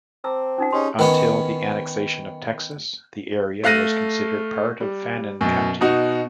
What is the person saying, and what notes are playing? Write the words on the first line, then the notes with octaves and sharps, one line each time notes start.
Until the annexation of Texas, the area was considered part of Fannin County.
C4 A5 A#5 D6 E6
C#4 D#4 F4 F#5 D#6
C#4 D#4 G4 G#4 C6
D#3 B3 C#4
A3 F5 F#6 A#6 D#7
G3
F#2 B2
B2 D#4 F#4